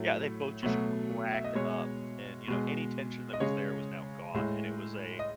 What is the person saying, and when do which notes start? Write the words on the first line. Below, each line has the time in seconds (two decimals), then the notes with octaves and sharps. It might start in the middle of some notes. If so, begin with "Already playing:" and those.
yeah, they both just cracked up and, you know, any tension that was there was now gone and it was a
Already playing: A2 F#3 A3
0.63 B2 F#3 A3
1.33 E5
1.44 D#5
1.55 B2 G#3 C#5
2.48 B2 G#3
3.33 D#5
3.40 C#3 G#3 C#5
4.34 A2 G#3
5.19 D#5